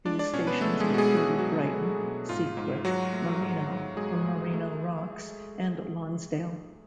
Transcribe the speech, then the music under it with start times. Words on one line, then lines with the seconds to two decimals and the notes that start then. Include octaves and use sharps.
These stations included Brighton, Seacliff, Marino, Marino Rocks and Lonsdale.
0.06 G#3 D4 D5
0.19 D4 D5
0.33 B2 C#4 C#5
0.47 B3 B4
0.61 G#3 A3 A4
0.80 G#3 G#4
0.90 B2 F#4
0.98 G#3 G#4
1.17 G#3 F#4
1.28 G#4
1.38 F#3 F#4
1.46 B2
1.73 G#3
2.01 B2
2.29 G#2 F4
2.57 G#2
2.85 F#3 F#4
3.13 A3
3.41 G#2
3.70 G#2
3.97 F#3 G#3 G#4
4.26 A3
4.53 A3